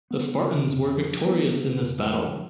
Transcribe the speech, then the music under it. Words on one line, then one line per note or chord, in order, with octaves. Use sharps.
The Spartans were victorious in this battle.
B3
C#3
F2
F3
B3
C#3
F2
F3